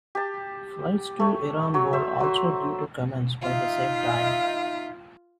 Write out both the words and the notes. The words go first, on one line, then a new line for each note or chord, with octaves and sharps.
Flights to Iran were also due to commence by the same time.
G4 A5
A3 C#5
F#3 C#5
C5 E5
F#3 C5
D#4 F4 E5 F5